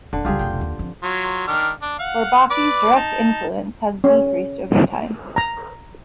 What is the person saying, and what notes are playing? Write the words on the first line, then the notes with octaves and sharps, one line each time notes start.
Bourbaki's direct influence has decreased over time.
D#1 D3 D4
C#2 G3 F4 G4 G#4
F1 B1 G5
D#2
F2
F#3 F4
D#3 D4 F6
D4
F5 F#5
B4 D5 D6
D#4 A5
C#4
A#5